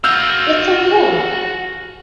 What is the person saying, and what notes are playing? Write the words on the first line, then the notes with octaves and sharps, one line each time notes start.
That's so cool.
F#4 F5 E6 F6 G6